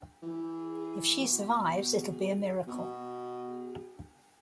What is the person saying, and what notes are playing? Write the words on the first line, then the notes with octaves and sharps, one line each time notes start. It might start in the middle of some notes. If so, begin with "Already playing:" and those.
If she survives, it'll be a miracle.
E3
B2
B2